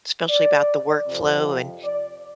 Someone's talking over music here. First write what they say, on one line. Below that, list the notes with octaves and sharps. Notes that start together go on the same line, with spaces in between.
especially about the work flow and
D5
F2 C3 F3
D5